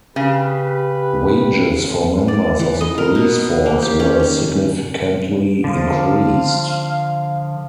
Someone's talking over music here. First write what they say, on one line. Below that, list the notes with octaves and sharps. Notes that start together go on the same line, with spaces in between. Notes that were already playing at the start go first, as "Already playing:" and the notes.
Wages for members of the police force were significantly increased.
C#3 G4 B4
D5
E3
D#5
A#4
B2
A#3
G4
C#4
D#3
D3 F3 F5